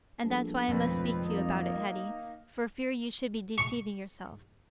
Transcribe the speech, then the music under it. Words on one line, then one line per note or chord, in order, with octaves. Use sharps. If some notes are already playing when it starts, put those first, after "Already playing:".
And that's why I must speak to you about it, Hetty, for fear you should be deceiving yourself.
A#1 G3 B3 A4
G#1 F2 B2 D3 A3 C4 B4
A#3 D#4 A#4 D#6
C#6